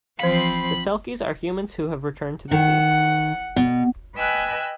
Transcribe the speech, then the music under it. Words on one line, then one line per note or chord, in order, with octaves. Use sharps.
The selkies are humans who have returned to the sea.
E3 F3 C4 F5 B5
D#3 F#5
B2
B4 D#5 G5 G#5 E6 F#6